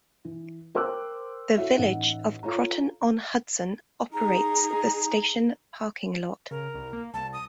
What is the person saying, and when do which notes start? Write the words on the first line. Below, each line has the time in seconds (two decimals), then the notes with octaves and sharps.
The Village of Croton-on-Hudson operates the station parking lot.
0.25 E3
0.75 A#4 C5 G5 D6 E6 F#6
1.57 E4 F#4 A4 C#5 E5
1.77 A1 D#4 F#5
2.43 F4 A4 C#5 A#5
4.13 D#4 G#4 A#5
6.51 C#3 A#4
6.74 C2
6.93 A#3
7.14 C2 A5
7.33 D#6